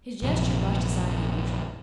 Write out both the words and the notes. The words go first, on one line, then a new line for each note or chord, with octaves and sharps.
His gesture brushed aside the allusion.
A#1 F#2 C3